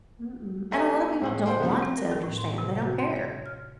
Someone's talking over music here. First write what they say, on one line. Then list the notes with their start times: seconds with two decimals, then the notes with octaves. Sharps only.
Mm-mm, and a lotta people don't want to understand, they don't care.
0.71 B3 G4 A4 E5 G#5 A#5
1.21 A2 G#4 F#5
1.46 C5 F#5 G5 C6
1.60 C2 F#2 F3 A#3 B3 G4
1.82 C4
1.98 A#4
2.12 D#3
2.24 A2
2.38 C6
2.58 C3
2.82 F#4
2.99 C6
3.16 C#5
3.46 F6